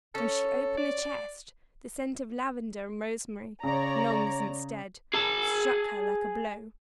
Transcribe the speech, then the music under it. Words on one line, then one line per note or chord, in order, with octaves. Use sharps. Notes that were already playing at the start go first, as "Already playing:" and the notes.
When she opened the chest, the scent of lavender and rosemary, long since dead, struck her like a blow.
C#4 A4 C#5
D5
C#3 C#5 D5 A#5
G#4 A5